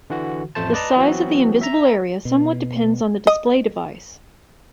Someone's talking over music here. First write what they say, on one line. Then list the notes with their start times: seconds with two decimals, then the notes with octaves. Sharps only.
The size of the invisible area somewhat depends on the display device.
0.10 D3 E3 F#4
0.55 A1 F2 A3 C5 A5
0.73 B4 D5 D#5 A5 A#5
0.96 E3 F#3 B3 C4 F#4
1.61 E5 A#5
2.25 B2
3.27 D#5